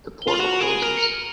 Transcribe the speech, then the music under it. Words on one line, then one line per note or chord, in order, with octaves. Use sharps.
The portal closes.
G7
F4 F#7
F#4 F7
G#4 D7
D#7
A#4
C#7